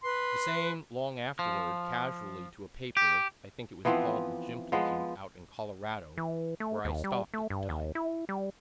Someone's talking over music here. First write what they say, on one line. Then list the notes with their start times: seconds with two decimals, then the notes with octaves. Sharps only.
The same long afterward, casually, to a paper--I think it was call'd the "Jimplecute"--out in Colorado where I stopp'd at the time.
0.03 B4 C6
1.39 F3
2.97 G4
3.85 E3 F3 B3 C4
4.72 F3 G#3 B3
6.18 E3
6.60 A3
6.84 D#2
7.04 G3
7.34 A3
7.50 G2
7.69 D#2
7.95 E4
8.29 G3